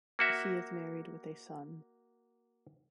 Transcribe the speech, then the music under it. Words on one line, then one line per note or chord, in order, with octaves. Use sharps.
She is married with a son.
A#3 F#4 E5